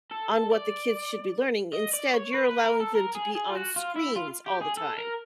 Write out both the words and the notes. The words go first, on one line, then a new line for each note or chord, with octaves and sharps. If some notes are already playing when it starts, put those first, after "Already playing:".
on what the kids should be learning. Instead, you're allowing them to be on screens all the time."
A4
A4
D5
D#5
D5
C#5
B4
B4
A#4
A4
A#4
G#4
G#4
F4
F#4
F4
E4
F4
G4
G#4
A4
A#4